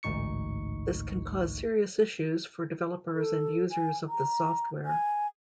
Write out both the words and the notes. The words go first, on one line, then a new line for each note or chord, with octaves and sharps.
This can cause serious issues for developers and users of the software.
A1 D2 G#2 D#4 C#6 C#7
A4
G#5
A#5
G#5